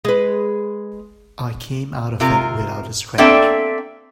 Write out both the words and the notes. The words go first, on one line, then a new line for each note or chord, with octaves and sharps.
I came out of it without a scratch.
G#3 B4
C3 F4 A#4
A#3 C4 D4 A4 E5 G5